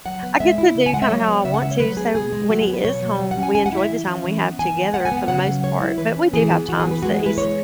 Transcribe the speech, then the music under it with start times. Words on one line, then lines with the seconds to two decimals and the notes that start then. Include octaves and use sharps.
I get to do kinda how I want to, so when he is home, we enjoy the time we have together for the most part, but we do have times that he's
0.05 F#3 F#5
0.23 B3
0.40 G#3 E5
0.58 E4
0.75 C#3
0.86 G#5
0.93 G#3 F#5
1.02 E5
1.10 F#3 C#5
1.28 B3
1.45 C#3 E5
1.54 F#5
1.63 G#3 E5
1.71 C#5
1.80 F#3 B4
1.97 B3 G#4
2.15 B2 G#4
2.32 G#3
2.50 F#3 F#4
2.62 G#4
2.67 B3
2.73 B4
2.84 B2 C#5
3.02 F#3
3.19 F#3
3.31 F#5
3.37 C#4
3.43 G#5
3.55 G#3 G#5
3.66 F#5
3.72 E4 E5
3.89 E3
4.07 C#4
4.25 E3
4.42 B3
4.58 E3 G#5
4.77 B3
4.93 G#3 F#5
5.05 G#5
5.12 B3
5.17 F#5
5.28 C#3 F#5
5.47 F#3
5.63 G#3 C#5
5.81 E4
5.98 E3 B4
6.16 C#4
6.33 E3 G#4
6.50 B3
6.69 E3 F#4
6.80 G#4
6.86 B3
6.91 B4
7.03 G#3 F#4
7.14 G#4
7.20 E4
7.26 B4
7.38 G#3 C#5